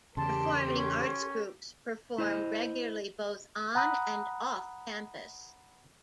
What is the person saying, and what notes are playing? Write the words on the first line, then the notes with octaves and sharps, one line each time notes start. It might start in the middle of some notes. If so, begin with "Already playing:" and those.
Performing arts groups perform regularly both on and off campus.
E2 C#3 G4 A4 A#4 A5 C6
C#4
E4 C5 D#5
F#5 A#5 B5 D#6 F#6